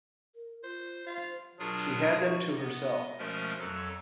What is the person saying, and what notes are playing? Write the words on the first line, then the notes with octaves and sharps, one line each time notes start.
She had them to herself.
A#4
F4 C5
F4 C5
B2 F#3 D4 F4 G#4 A#4
F#4 C#6
B3 D#5
B2 F3 G#3 A3 C#4 A#4
F2 F#3 A4 E6 G#6